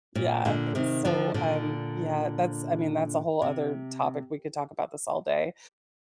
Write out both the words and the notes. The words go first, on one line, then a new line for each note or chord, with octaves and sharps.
Yeah, so, um, yeah, that's I mean, that's a whole other topic, we could talk about this all day,
A#2
A#2 D3
C3 D#3
D3 F3
A#2 D3
C3